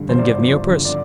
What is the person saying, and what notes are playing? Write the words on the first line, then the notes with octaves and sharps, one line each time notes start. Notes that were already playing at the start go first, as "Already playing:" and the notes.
"Then give me your purse."
Already playing: G2 D3
G1 C5
D5
C5
F3
D3
D5